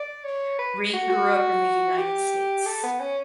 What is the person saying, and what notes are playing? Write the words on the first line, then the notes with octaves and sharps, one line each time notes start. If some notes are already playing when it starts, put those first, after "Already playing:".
Ring grew up in the United States.
Already playing: D5
C#5
B4
F#4
F#4
G4
A4
B3
C#4